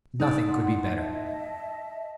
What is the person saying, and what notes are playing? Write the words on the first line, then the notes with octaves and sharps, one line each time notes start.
Nothing could be better.
D#4 D5
F#5 C6
D#5 E5 A5